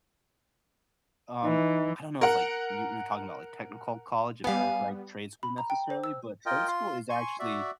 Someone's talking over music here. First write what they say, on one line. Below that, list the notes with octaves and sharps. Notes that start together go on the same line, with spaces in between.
um, I don't know if, like you you were talking about, like, technical college, if that's, like, trade school, necessarily, but trade school is actually,
E3 D#4
A#4 F#5
G3 B3 F5 G#5
B5
A#5
G5
C5
E6
F4 A#4 D#5 G5
F4 C6
G#5 C6 C#6
F#4 D5 E5